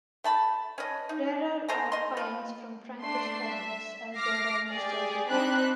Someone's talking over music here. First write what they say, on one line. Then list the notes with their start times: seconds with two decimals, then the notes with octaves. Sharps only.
Rarer are finds from Frankish times, as they are almost everywhere.
0.24 A3 A5 B5
0.78 C#4 B4 D#5
1.09 D#4
1.68 A4 C5 G#5 A#5
1.92 D#5 C6
2.17 F3 B4
3.00 A3 D4 C6 C7
3.44 E5
4.14 D6 F6 A#6 C7
4.70 G4 G#4 D5
5.28 C4 D4 D#4 B5 F#6